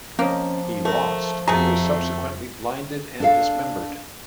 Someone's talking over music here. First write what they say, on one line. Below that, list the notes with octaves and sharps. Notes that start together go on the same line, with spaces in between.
He lost and was subsequently blinded and dismembered.
F3 A#3 C4 C#4 D#5
A3 A4 A#4
F2 A3 C4 F#4 G#4 A#5
D4 A4 F5